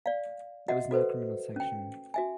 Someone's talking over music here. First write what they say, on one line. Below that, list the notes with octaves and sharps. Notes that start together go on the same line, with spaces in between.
There was no criminal sanction.
D5 F5
F#4 D#5 E5 F#5
F#4 A4 B4 C5
C#4 G5
F#4 E5 G#5